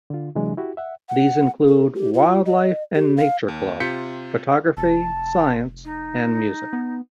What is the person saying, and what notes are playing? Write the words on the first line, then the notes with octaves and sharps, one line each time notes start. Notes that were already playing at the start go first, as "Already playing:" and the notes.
These include Wild Life and Nature Club, Photography, Science, and Music.
D3 F4
C3 E3 F#3 G#3 D4
E4 F#4 G4
E5 F#5
F#5
A4
G4
F4
D#5
G4
F5
D#2
C3 F4 G6 B6 C#7
F1 A5
D#4
B3